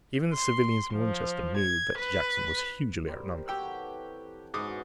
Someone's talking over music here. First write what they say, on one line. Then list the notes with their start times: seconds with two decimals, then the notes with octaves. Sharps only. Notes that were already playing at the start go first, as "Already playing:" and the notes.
Even the civilians in Winchester knew that Jackson was hugely outnumbered.
0.35 C6
0.95 F3
1.58 G#6
1.98 B4
3.07 G3 A#4 C5
3.48 C3 G4 C#5 F#5 G5 E6
3.59 E3 A4
4.54 G#2 B2 E3 C#4 D6 D#6